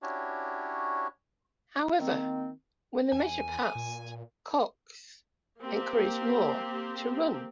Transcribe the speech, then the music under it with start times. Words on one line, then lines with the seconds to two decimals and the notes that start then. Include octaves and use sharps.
However, when the measure passed, Cox encouraged Moore to run.
0.02 C#4 D4 E4 F#4 G4 C#5
1.98 D#3 A#3 C4
3.12 E2 G#5
3.75 A#2
5.61 A#3 C4 G4